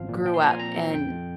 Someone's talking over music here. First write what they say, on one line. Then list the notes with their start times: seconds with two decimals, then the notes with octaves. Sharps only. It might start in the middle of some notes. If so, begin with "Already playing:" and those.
grew up, and,
Already playing: G#1 F3 F5
0.09 A#2
0.25 F3 G5
0.34 C6
0.42 A#2 A#5
0.51 G#5
0.59 C4 A#5
0.77 C4
0.94 F2 G5
1.11 F2